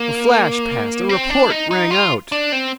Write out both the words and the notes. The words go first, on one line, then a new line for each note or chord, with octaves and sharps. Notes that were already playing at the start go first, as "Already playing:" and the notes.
A flash passed, a report rang out.
Already playing: A#3
C4
D4
D#4
D#4
F4
D4
C4